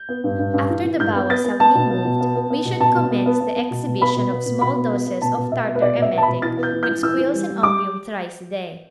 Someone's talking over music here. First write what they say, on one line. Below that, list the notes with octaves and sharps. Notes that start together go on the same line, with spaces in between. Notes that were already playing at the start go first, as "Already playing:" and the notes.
After the bowels have been moved we should commence the exhibition of small doses of tartar emetic with squills and opium thrice a day.
Already playing: G6
B3
G2
G2
G2
E3
E3
G2 G6
B3
B3 A6
B3
B3 A5
B2
B3
B2
B3
B3
B3
B2
B2 A5
B2
B3
B3
B3
B3
B2
B2
B3 B5
B2
B3
B2
B2 B5
B3
B3
B3
B2 A5
B2
B2 E5
B3
B4
B2 D5
B2 E5
B3
A5
B5
B2
E3 A6
B3
G6
E3
G6
E3
E3 E6
E3
G3
G3
G3 D6